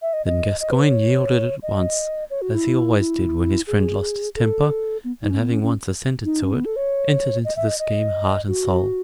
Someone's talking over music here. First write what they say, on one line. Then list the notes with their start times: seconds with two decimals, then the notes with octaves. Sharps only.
Then Gascoyne yielded at once, as he always did when his friend lost his temper, and having once assented to it, entered into the scheme heart and soul.
0.02 E5
0.13 D#5
0.26 D#5
0.60 D#5
0.71 B4
0.83 C#5
1.63 D#5
2.30 C#5
2.42 F#4
2.54 E4
2.99 E4
3.67 G#4
4.36 A4
5.04 B3
5.22 D#4
5.30 C#4
5.39 B3
5.50 C#4
5.62 C#4
6.25 D#4
6.42 C#4
6.54 B3
6.65 A4
6.76 C#5
7.45 D#5
7.56 E5
7.68 D#5
7.79 D#5
8.48 F#4